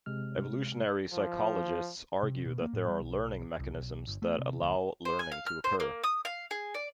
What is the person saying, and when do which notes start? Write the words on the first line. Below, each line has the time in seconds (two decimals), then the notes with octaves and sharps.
Evolutionary psychologists argue that there are learning mechanisms that allow learning to occur.
0.06 C3 G#3 F6
1.13 F3
2.23 C3
2.46 B2
2.61 A#3
2.73 A2
2.88 G3
3.00 B1
3.60 C2
3.73 B1
4.07 G1
4.22 A3
4.39 C3
4.60 D2
5.05 C5
5.19 G#5
5.32 F5
5.47 F6
5.64 C5
5.80 A#3
6.03 D#6
6.25 F5
6.51 G#4
6.74 D5